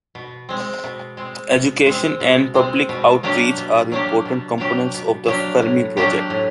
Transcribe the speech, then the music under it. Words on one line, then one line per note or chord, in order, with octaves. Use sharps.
Education and public outreach are important components of the Fermi project.
B2
G#3 C4
B2
G#3 C4
B2
G#3 C4
B2
G#3 C4
B2
F#3 A#3 D4 G4
B2
F#3 A#3 D4 G4
B2
F#3 A#3 D4 G4
B2
F#3 A#3 D4 G4
A2
F#3 A#3 D4 G4
A2